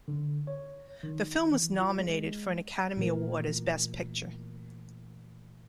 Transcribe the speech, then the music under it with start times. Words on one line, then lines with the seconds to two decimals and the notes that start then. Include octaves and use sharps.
The film was nominated for an Academy Award as Best Picture.
0.08 D3
0.47 C#5
1.03 D#3
1.51 E3
1.79 F4
1.99 G#3
2.97 A#2 E3 A3 A#4